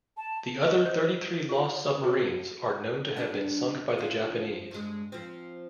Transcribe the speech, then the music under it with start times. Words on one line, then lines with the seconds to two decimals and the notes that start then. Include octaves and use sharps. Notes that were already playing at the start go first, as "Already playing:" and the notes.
The other thirty-three lost submarines are known to have been sunk by the Japanese.
0.17 A5
0.64 D#5
0.85 C5
1.49 F4
2.04 F#4
3.16 G3 D4
3.98 F3 D4 F4
4.71 G2 G#3
5.12 F3 C4